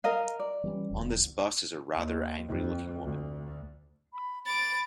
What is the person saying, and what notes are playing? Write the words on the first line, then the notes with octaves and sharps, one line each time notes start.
On this bus is a rather angry looking woman.
A#4 D#5 F5
D5
E3 G3 C#4
E1 D2
D#2
F2
D2
B5
B5 D6 A6